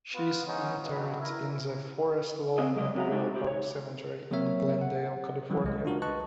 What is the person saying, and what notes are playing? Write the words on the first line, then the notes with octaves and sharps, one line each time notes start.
She is interred in the Forest Lawn Memorial Park Cemetery in Glendale, California.
B3 F4
G#2 B3 C#4 D#4
G2 B2 F#3
E4 A#4
C4 G#4 D#5
F#3 G#3 D5 D#5
C3 F#3 F#4 E5 A#5
G#3 D#4 E4 F#4 G4 A4
A2 E4 G4
C#5
F#3 A#3 C4 A#4 C#5 E5
F#5
E3 F#3 G3 C#4
C2 G#3
D4 F4 F#4 A#4
B4 D#5 A5 C#6 F#6